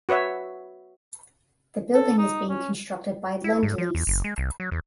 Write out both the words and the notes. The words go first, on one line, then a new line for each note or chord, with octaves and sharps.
The building is being constructed by Lendlease.
F#4 B4 C#5 E5
A4
D#4
C#4
E4
G#2
F3
E2
F#1
G#3
C2
F#3
E2